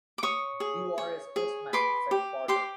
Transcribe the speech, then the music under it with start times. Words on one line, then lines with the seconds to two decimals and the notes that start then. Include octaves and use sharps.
"You're a sportsman," said Porter.
0.18 D6
0.23 C#5 C#6 D#6
0.60 G#4
0.98 C#5
1.36 G#4
1.73 B4 C6 D6
2.11 G4
2.48 G4 C6 D6